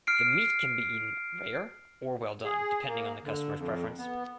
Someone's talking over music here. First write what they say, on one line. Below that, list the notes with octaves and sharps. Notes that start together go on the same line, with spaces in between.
The meat can be eaten rare or well done, depending on the customer's preference.
F6 C7 D7
G#4
A#3
D3
F2
B3